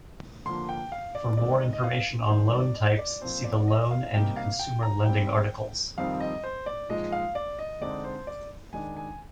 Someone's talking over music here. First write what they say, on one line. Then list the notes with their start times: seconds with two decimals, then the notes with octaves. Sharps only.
For more information on loan types, see the loan and consumer lending articles.
0.45 D3 F3 A#3 C6
0.69 G5
0.92 F5
1.15 D5
1.37 C3 D#3 G#3 D5
1.61 D#5
1.73 D#5
1.84 F5
2.29 G2 D#3 G#3 D#4 C5
2.53 D5
2.76 D#5
2.98 D5
3.21 A#2 F3 C4 C5
3.44 D5
3.68 D#5
3.91 F5
4.14 C3 G3 A#3 D#4 G5
4.37 F5
4.59 G5
4.83 A#5
5.05 G#2 G3 C4 G5
5.97 F2 D#3 G3 C4 F5
6.20 D#5
6.44 C5
6.66 D5
6.89 A#2 F3 G#3 D#4 D#5
7.12 F5
7.35 D5
7.59 D#5
7.81 D3 G#3 C4 D#4 D5
8.04 C5
8.27 D5
8.73 D#3 G#3 D4 G#5
8.97 G#5